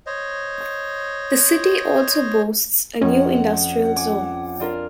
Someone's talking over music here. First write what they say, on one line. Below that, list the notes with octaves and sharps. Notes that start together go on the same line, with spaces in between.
The city also boasts a new industrial zone.
C5 C#5 D#5
F2 C#4 F#5
G#5 D6
D4 F4 A#4